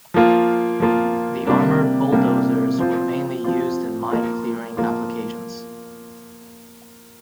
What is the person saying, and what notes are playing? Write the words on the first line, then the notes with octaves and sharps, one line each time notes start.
The armored bulldozers were mainly used in mine clearing applications.
F3 A#3 F4
F3 A#3 F4
C3 G3 A#3 D4
C3 G3 A#3 D4
F3 C4 F4
F3 C4 F4
F3 A#3 F4
F3 A#3 F4